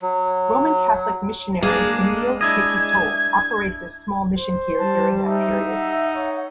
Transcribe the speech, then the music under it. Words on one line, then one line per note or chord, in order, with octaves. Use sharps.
Roman Catholic missionary Emile Petitot operated a small mission here during that period.
F#3
G#3 A#3 D4
D4 E4 D#5 G#6
C5
G3 A5
D#4 E5
F#5
C#5